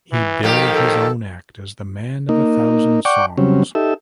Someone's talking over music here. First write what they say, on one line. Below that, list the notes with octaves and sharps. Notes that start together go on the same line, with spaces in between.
He billed his own act as the "man of a thousand songs".
E3
F2 D#3 A#3 G4
A4
A#3 D#4
D5 F#5 G5 C#6 D6
C#3 F#3 G3 C4 C#4
D#4 G4 A4 E5